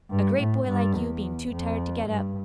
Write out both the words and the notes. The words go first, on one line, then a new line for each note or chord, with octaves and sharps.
A great boy like you bein' too tired to get up!
G2
A2
G2
E2
F2
G2